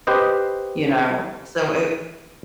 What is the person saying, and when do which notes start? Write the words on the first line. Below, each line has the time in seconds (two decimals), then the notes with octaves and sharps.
you know? So, it
0.07 G4 B4 C5 D#5